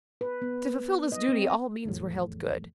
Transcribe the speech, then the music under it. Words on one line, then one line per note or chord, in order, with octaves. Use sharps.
To fulfil this duty all means were held good.
B4
B3
D#5
C4
F1 E2 A2